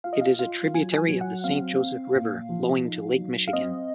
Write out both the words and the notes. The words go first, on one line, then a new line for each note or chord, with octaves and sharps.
It is a tributary of the Saint Joseph River, flowing to Lake Michigan.
F4 F5
D#5
F5
F4 F5
F#3 G#5
G#5
F#3
F#5
C4 F5
C4
A#2
F3
D#4
F#3
F5
C4 D#5